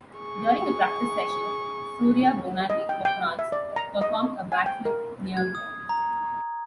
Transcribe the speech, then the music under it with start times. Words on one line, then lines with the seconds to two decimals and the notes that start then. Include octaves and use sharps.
During a practice session, Surya Bonaly of France performed a back flip near her.
0.17 G#4 C#6
2.70 D#5
2.89 G5
3.05 G5
3.39 E5
3.52 D5
3.76 A#5
4.01 D#5
4.52 G#5
4.66 G5
4.85 A#4
5.37 G#6
5.55 D#6
5.89 A#5